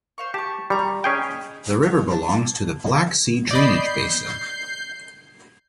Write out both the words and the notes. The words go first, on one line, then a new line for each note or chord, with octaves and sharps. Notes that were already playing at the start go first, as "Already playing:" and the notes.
The river belongs to the Black Sea drainage basin.
C5 F5 C#6
G4 A5 C#6
G3 A#5 C#6
C#4 G#4 C#5 D#5 G5 B5
C#5
D4
D5 D#5 B5 G6 C7